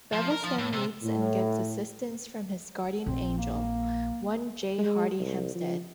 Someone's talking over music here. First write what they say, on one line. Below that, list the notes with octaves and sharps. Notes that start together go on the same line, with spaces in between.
Bevis then meets and gets assistance from his guardian angel, one J. Hardy Hempstead.
F3
A#4
F3
A2
C3
A2
A#1 C4
A#3
G#3
C2
F3